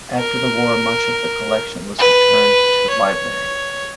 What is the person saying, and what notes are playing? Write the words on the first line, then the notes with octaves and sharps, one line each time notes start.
After the war much of the collection was returned to the library.
A#4
B4
C#5